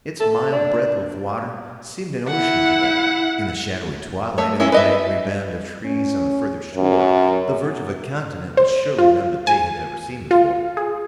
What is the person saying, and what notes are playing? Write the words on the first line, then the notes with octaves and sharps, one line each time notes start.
Its mile-breadth of water seemed an ocean to them, in the shadowy twilight, and the vague riband of trees on the further shore, the verge of a continent which surely none but they had ever seen before.
A4
D4
E4 F#5
A3 C#5
G#3 C#4 E4
B4 D#5 E5
C#4
F#2
C5
F4
G#5
F4
G#4